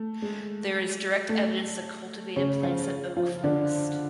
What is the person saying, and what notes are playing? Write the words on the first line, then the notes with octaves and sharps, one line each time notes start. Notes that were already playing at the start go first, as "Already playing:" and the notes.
There is direct evidence of cultivated plants at Oak Forest.
Already playing: A3
G#3
A3
C#3 C#4
F3 F4
F3 F4
D3 D4